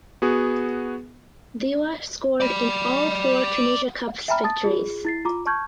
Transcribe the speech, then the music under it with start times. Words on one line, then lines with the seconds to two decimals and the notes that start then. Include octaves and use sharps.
Diwa scored in all four Tunisia Cups victories.
0.22 B3 F#4 G#4
2.41 D5 B5
4.28 E5 G5 G#5 A#5 B5 F6
4.44 A5 D#6 A6
4.64 F4 G#4
5.05 E4 A6 C7
5.25 F4 A#5 D6
5.46 A5 C#6 F6 G6 G#6